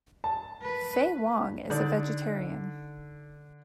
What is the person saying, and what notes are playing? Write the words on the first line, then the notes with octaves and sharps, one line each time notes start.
Faye Wong is a vegetarian.
A5
B4
D3 D#4 D5